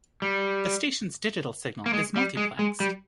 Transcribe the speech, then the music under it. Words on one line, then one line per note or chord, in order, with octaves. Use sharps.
The station's digital signal is multiplexed.
G3
A#3
G#3
G3
G#3
G#3
G3